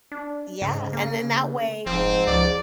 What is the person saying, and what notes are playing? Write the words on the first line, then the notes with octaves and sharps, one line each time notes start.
Yeah, and then that way
D4
G#2 C#3
A#3
F1 G#2 F3 C4
C#2 F3 D5